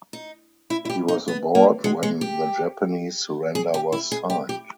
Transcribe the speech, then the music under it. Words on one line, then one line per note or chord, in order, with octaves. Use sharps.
He was aboard when the Japanese surrender was signed.
D#4
E4
E4
G4
D#4
B3
A#3
G#3
G#3
G4
G#4
G4
E4
G#4
G4
G4